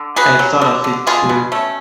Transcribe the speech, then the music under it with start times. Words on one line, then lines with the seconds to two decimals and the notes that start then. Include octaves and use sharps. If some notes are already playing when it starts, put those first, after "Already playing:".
I thought of it too.
Already playing: D3
0.16 F#3 G#4 B4
0.39 F#3
0.61 D3
0.84 D3
1.07 B2 F4 G#4
1.29 B2
1.52 A3 C#4